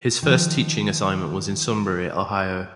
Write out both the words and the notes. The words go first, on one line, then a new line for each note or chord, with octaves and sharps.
His first teaching assignment was in Sunbury, Ohio.
D#3 F3